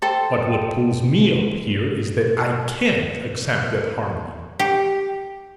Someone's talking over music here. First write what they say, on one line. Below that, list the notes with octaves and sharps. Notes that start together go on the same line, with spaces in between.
But what pulls me up here is that I can't accept that harmony.
A4 C5 G5 A5
G4